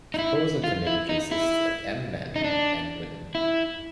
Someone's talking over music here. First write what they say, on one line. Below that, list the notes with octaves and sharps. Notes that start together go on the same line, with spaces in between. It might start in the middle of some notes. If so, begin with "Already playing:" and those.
Suppose a committee consists of "m" men and "n" women.
D#4
E4
F4
E4
D#4
E4
D#4
D4
E4